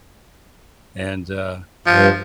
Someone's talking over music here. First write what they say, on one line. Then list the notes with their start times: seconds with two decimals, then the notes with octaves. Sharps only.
And, uh
1.86 G2 F3